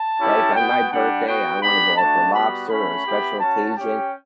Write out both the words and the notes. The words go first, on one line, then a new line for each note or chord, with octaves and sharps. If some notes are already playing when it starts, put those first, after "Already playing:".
Like, on my birthday, I wanna go out for lobster, or special occasion-
Already playing: A5
C#4 E4 G4
B3 F#4 G5
G3 D4 G4 F#5
B3 F#4 G5
B3 D4 G4 B5
A3 D4 F#4 A5
G3 B3 F#4 B5
A3 C#4 F#4 B5
B3 E4 G4
C#4 F#4 A5
C#4 G4 G5